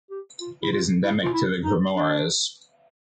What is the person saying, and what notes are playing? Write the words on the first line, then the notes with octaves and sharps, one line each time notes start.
It is endemic to the Comores.
G4
F4
E4
F4
E4
F4
E4
D#4
D4